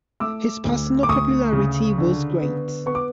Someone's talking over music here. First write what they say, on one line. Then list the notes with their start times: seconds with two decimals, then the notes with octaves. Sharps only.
His personal popularity was great.
0.20 A3 D6 E6
0.65 D2
1.03 D6
1.09 D2 C#6 D#6
1.53 C#3
1.98 D3
2.41 B3
2.86 B3 C#6
2.95 D6